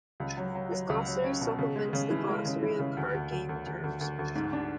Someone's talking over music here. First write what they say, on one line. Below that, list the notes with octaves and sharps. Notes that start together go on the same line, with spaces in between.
This glossary supplements the Glossary of card game terms.
C#2
F#3
F#3
F#3
C#2
F#3
C#4
B2
C#3
G#3
C#3
E3
G#3
C#3
E3
C#3
D2
D2
D2
D2
D2
D2
D2
D2
G#2
D4